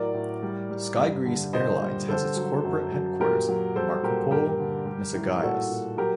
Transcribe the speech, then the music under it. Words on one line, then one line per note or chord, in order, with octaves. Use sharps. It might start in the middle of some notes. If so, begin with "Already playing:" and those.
SkyGreece Airlines has its corporate headquarters in Markopoulo Mesogaias.
Already playing: A2 F#3 A#4 D5
A2
G3
G3
G2
D3
A#2 C5 D#5
G3
D3 A4 C5
F#3
F#2
F#2
A#2 G4 A#4
F#3
G3 A4 C5
A#2 G4 A#4
G2 G4 A#4
D3
G3
A2
A#2 F#4 A4
A#2
F#3 G4 A#4